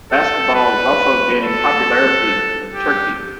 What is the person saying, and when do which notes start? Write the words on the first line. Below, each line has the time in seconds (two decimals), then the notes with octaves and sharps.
Basketball is also gaining popularity in Turkey.
0.11 A4
0.55 B4
1.44 A4
2.74 G4